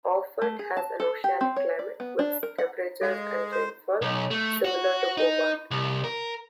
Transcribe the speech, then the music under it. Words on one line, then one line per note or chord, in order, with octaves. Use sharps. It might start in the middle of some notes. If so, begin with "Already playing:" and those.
Orford has an oceanic climate, with temperatures and rainfall similar to Hobart.
A3
G#4
A5
A4
G4
C4
C#5
D5
B3
D4
A#4
F#5
G#3 A4 F5
C5
B1
A3
F#4
D#4
C2
A#4